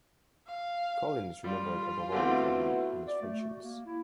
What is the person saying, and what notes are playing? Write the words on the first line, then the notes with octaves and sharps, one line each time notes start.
Collin is remembered above all for her illustrations.
F5
G3 F4
D3 A3 B3 C4 E4 F#4
D5
A3
F#4
A#3
E4